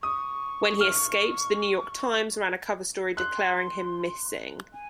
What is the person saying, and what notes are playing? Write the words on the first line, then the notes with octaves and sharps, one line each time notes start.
When he escaped, "The New York Times" ran a cover story declaring him missing.
C#6 D#6
F6
C6 F#6
G#5